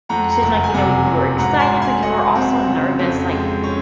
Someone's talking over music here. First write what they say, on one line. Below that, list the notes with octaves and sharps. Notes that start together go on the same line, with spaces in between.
you said, like, you know, you were excited, but you were also nervous. Like
F2 F#5 A#5
F#5 A#5
F#1
G#5
C3 F#5 A#5
F#3
G#2 F#5 A#5
G#5 C6
G#1
G#5 C6
F#3 D#5 F#5
C4
C#3
F2
G#3
C#4